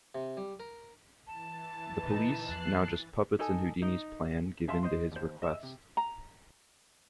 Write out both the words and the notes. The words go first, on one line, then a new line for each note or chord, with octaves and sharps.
The police, now just puppets in Houdini's plan, give into his request.
C3
G3
A#4
E3 A5 A6
A#2 D3 D#4 B4
E2 F3 F#6 C7
D#4 A4 G#5
D#4
C#4 E5 F5 A5 C6
C5 D#5 C6
D#2 C5
D#5 E5
C3
A#5